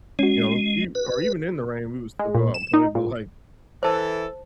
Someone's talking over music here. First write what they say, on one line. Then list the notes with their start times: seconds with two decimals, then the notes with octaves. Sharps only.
you know, e or even in the rain we would still go out and play, but, like,
0.19 G#3 C#4 F#4
0.95 B4
2.19 G#3
2.35 A#2
2.54 E7
2.74 D#4
2.95 A#2
3.83 E3 A4 C5 A5